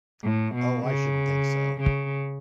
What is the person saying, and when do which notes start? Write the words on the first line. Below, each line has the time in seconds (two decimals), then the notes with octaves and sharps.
Oh, I shouldn't think so.
0.23 A2
0.55 B2
0.86 C#3
1.80 C#3